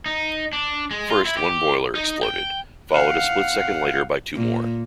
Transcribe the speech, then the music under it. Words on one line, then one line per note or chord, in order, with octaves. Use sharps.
First one boiler exploded, followed a split second later by two more.
D#4
D4
G#3
F4
E4
G4
D#4
G5
F5 F#5
A#2